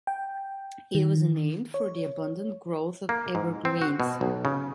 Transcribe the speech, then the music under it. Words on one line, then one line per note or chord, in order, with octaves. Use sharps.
It was named for the abundant growth of evergreens.
G5
D#3
C#5
A#3
G#2
C4
F#4
B2
B1
C#3